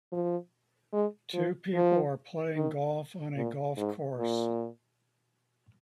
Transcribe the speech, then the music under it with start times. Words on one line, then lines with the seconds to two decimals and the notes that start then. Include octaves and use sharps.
Two people are playing golf on a golf course.
0.12 F3
0.93 G#3
1.34 F3
1.74 F3
2.56 D#3
3.37 A#2
3.77 G#2
4.19 A#2